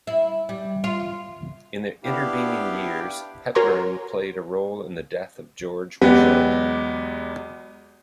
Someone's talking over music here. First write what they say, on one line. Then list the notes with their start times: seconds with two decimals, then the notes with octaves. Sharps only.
In the intervening years, Hepburn played a role in the death of George Wishart.
0.07 E4
0.49 G3
0.84 F4
2.04 B3 D4 E4 G4 F5 G5
3.55 F#4 A#4 C#5 G#5 A#5 C6
6.01 E2 F#3 G#3 B3 G4